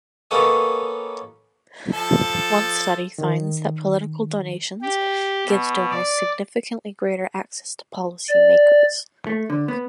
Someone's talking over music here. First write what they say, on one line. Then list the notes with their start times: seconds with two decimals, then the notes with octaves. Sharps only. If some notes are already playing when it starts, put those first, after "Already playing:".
One study finds that political donations gives donors significantly greater access to policy makers.
0.31 A#3 B3 C#4 A4 C#5 D#5
1.93 F3 A4 A5
3.18 D#3
4.82 G4
5.47 B2
5.91 D5
8.29 D5
9.27 A3
9.50 D3
9.68 B3